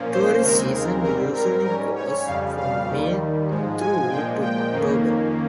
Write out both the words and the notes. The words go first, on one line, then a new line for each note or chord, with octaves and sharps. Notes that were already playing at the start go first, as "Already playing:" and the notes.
Tourist season usually goes from May through to October.
Already playing: A#2 F3 A#3 C#4
C5
D#2 C#3 G#3 C4 A#4
A#4
G#2 G3 C4 A#4
A#4
G#2 G3 C#4 A#4
C#5
F2 C#3 G3 F5
F5
D#2 D#3 G3
G#2 F3 G#3
G#5
A#2 F3 G#3 G5
G5
F2 D#3 A#3 C#4